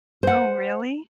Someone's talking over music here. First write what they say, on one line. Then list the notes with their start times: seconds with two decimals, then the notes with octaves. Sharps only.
Oh, really?
0.23 C5 F#5